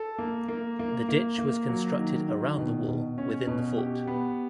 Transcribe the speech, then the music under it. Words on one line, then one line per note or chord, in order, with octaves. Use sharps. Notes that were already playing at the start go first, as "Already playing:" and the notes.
The ditch was constructed around the wall within the fort.
Already playing: A4
A#3
A#3
A#3
A#3
A#3
F#3
D#3
D#3
B2
B2
C#4
B2
G4
B3